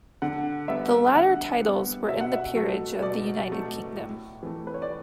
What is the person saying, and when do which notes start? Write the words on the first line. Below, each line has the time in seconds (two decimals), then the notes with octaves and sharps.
The latter titles were in the Peerage of the United Kingdom.
0.22 D3 F#5
0.68 G3 B3 E5
1.15 D3 F#5
1.62 G3 B3
2.08 B2 E5
2.21 F#5
2.33 E5
2.55 F#3 A3
3.02 B2 D5
3.49 F#3 A3
3.96 A2
4.43 E3 A3
4.67 B4
4.74 C#5
4.82 D5